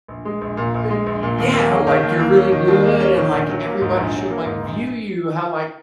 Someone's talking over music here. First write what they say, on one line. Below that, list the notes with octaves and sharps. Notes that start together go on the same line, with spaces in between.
M uh y yeah, like, you're really good, and, like, everybody should, like, view you how, like
A#1
G#3
A#1
A#2
A#1
G#3
A#1
A#2
D#2
A#3
C#4
D#3
D#2
A#3
C#4
D#3
D#2
A#3
C#4
D#3
A#1
F#3
A#3
G#2
A#1
F#3
A#3
G#2
A#1